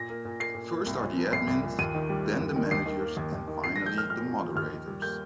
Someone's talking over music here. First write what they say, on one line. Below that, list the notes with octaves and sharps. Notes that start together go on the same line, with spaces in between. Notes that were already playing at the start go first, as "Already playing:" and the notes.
First are the Admins, then the Managers, and finally the Moderators.
Already playing: A#2 A#6
A#3
A#2
A#3 C7
A#2
A#3
C2
A#2
F3
C2 C7
C2
A#2
D#2 D#7
D#3
G3
A#3
D#2
D#3
D#2 C7
D#3
A#3
D#2
D#2
D#3
A#2 C7
F3 A#6
G6
A#3 F6
A#2 F6
A#2
F3
D#2 F6
D#3
G3
A#3 G6